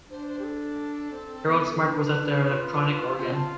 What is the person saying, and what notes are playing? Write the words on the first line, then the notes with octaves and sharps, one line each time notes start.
Harold Smart was at the electronic organ.
D4 C5
C5
G4
A4
C4
B3
D4 B4
F4
F4 C5
A5